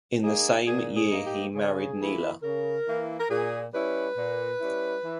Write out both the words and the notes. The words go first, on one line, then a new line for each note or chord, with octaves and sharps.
In the same year he married Neeley.
A#3 D#4 G#4
A#2 G#4
G#4
A#3 D#4
G4
C#3 G#4
E3 A#3 E4
C#3 A#4
E3 A#3 E4
A#4
A#2 G#4
G3 C#4 E4 B4
A#2
G3 C#4 E4
E3